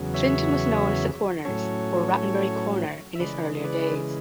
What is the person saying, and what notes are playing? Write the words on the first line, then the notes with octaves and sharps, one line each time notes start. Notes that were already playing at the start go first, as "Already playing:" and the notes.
Clinton was known as "The Corners" or "Rattenbury Corner" in its earlier days.
Already playing: E2 C#3 F#3
C#5 E5
A2 F#3 C#4 A4 C#5
E5
C#3 E3 G#3 B4 D5
B4 D5